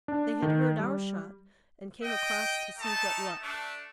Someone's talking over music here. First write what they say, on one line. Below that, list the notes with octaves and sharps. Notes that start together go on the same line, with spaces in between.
They had heard our shot, and came across to see what luck.
D4
D#3
G3
D#5 G5
A3 D#4 A5
A3 D4